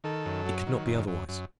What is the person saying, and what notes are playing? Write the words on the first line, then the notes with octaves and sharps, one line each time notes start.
It could not be otherwise.
D#3 A4
F#2
F#3
D#3
F#2
F#2
F#2